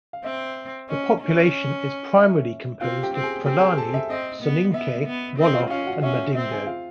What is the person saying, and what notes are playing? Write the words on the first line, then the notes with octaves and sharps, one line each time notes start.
The population is primarily composed of Fulani, Soninke, Wolof and Madingo.
F5
C4 E5
C#4 D#5
C#4
E5
C4 F4 F5
G4 G5
C4
G#4 G#5
C4 G4 G5
G#4 G#5
A4 A5
E5
C4 D#5
B3
B3 E5
B3
C4 D#5
F4 F5
C#4 F4 F5
F#4 F#5
C#4 E5
C4 E5
G#4 G#5
F4 F5